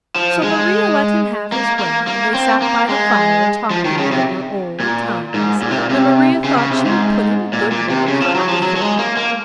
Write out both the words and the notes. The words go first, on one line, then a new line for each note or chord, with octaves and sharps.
So Maria let him have his way and they sat by the fire talking over old times and Maria thought she would put in a good word for Alphy.
F3
G#3
A#3
A#3
A#3
C4
A#3
G#3
F3
D#3
C#3
C3
A#2
G#2
A#2
C3
A#2
C3
C#3
C#3
C3
G#2
A#2
A#2
C3
C#3
F3
F#3
F3
F#3
F#3
G#3
A#3
A#3